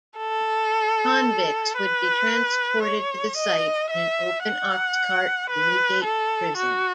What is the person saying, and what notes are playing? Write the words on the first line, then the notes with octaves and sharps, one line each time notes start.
Convicts would be transported to the site in an open ox-cart from Newgate Prison.
A4
B4
C#5
D#5
E5
F#5
B4
A4
F#4